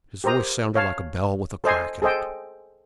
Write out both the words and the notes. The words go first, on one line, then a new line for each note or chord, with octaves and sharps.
His voice sounded like a bell with a crack in it.
G4 A#4 C5 A#5 D#6
C#5 F5 A5
A4 C5 D#5 G#5 C6
G#4 A4 C5 D#5 G5